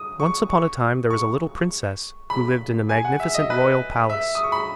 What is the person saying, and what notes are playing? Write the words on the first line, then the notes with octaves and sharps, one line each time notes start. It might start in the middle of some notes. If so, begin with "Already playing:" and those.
Once upon a time there was a little princess who lived in a magnificent royal palace.
Already playing: D#6
C#6
C#6
C#6
B5
G#5
F#5
E5
D#5
B4
E5
D#6
C#6
B5